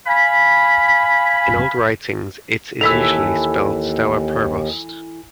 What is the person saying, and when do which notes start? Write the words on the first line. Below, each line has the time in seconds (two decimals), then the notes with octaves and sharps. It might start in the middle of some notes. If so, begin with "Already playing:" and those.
In old writings it is usually spelled Stower Provost.
0.07 F5 G#5 B5
2.81 D#2 E3 A4 E6 B6 F7